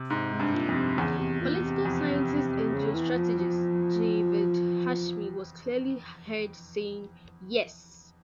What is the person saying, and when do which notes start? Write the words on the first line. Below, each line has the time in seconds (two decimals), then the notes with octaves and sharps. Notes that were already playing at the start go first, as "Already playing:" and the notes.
Political scientist and geostrategist Javed Hashmi was clearly heard saying: Yes!
Already playing: C3
0.10 G#2
0.32 G#2
0.40 G2
0.54 A#2
0.69 F2
0.76 C3
0.98 E2 C#3
1.19 C3
1.41 A#2
1.64 C3
1.85 F2
2.73 C#3
2.94 E3
3.16 F3
3.39 F3